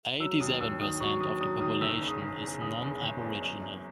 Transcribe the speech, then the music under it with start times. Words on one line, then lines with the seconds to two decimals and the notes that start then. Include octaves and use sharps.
Eighty-seven per cent of the population is non-aboriginal.
0.20 F#3 E6
0.40 D#2 D#6
0.60 D#2 E6
0.81 D#3 D#6
1.00 F#3 C#6
1.20 D#2 D#6
1.41 F#3 D#6
1.61 D#3 D#6
1.81 F#1 E6
2.01 C#3
2.08 D#6
2.21 F#1
2.41 E2
2.61 F#1 D#6
2.82 E2
3.01 F#1
3.21 E2
3.42 F#2
3.61 F#2